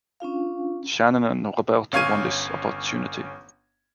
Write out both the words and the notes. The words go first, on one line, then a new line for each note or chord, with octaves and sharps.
Shannon and Roberto won this opportunity.
C#4 D4 F4 F5
G1 C#4 F5 C#6 G#6 D#7